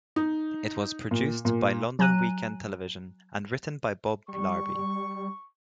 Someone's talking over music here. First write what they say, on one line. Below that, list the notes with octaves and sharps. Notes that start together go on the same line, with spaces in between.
It was produced by London Weekend Television and written by Bob Larbey.
D#4
A#2
A#2
F#3 G#5 A#5 F#6 D#7
G3 C#6